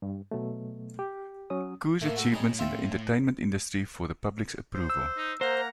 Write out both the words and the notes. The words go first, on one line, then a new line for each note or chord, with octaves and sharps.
Ku's achievements in the entertainment industry for the public's approval.
G2
B2 F#3 A3
G4
F#3 C#4 D#6
A2 A3 A#3
F#4 A4
G3 C#4 D#4
F4 E5 G5
C5
E6
D#4
A#3 C5 F#5 A#5